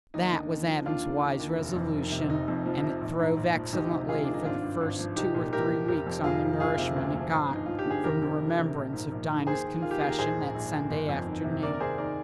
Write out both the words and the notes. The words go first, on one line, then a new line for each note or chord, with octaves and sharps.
That was Adam's wise resolution, and it throve excellently for the first two or three weeks on the nourishment it got from the remembrance of Dinah's confession that Sunday afternoon.
D#2 D#4
D3
D#2
F3
D#2 D4 F4
D#3
D#3
D#2
F1
F2
D#3
C3
F1 D#4
F2
F3
C3
A#1
G#2
A#1
F3
D2 D#4 G4
C3
D2 F4 G#4
D#3 D4
D#4
G#1 D4 F4
G2
G#1
F3
C2 D#4 G4
A#2
C2 G4 A#4
F3
F1 G4 A#4
F2
F1 F4 G#4
D#3
D2 F4 G#4
C3
D2
F3
G#1
G2 D#4
F3 F4
G4
D3 G#4
F1 G4 A#4
F2
D#3
C3
A#1
G#2
A#1
D#3
D#2 G#4 C5
D#3
D#3 F4
G4
D#2 G#4
A#4
A#1 G#4 C5
G#2
A#1
D#3
G1
F2
D#3
C3
D#2 A#4 D5
A#4
D#3 G#4 C5
D#3 A#4 D5